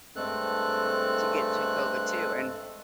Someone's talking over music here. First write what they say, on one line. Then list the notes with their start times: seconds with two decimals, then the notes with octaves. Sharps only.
to get through COVID, too, and
0.16 G2 G#3 A3 C4 A4 F#6